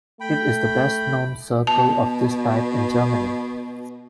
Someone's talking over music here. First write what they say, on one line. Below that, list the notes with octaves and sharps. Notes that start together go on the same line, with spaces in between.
It is the best known circle of this type in Germany.
A3 G5 B5
B2 A5